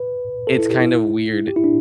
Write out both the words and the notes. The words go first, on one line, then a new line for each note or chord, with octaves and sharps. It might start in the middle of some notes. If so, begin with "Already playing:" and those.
it's kind of weird
Already playing: B4
A4
E4
G4
E4
G4
E4
D4